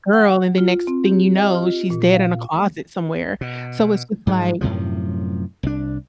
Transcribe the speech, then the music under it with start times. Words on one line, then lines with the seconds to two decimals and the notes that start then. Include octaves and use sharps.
girl, and the next thing you know, she's dead in a closet somewhere. So it's just like
0.13 F#5
0.58 F4
0.87 C4
1.06 G4
1.35 D#5
1.55 F4
1.90 A#2
2.13 F5
3.41 B2
4.27 G#2 F#3 G#3
4.61 F#2 A2 C3 F3
5.63 C2 D4